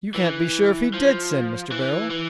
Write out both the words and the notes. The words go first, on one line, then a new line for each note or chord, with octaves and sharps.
"You can't be sure if he did sin, Mr. Beryl."
E3
F3
E3
E3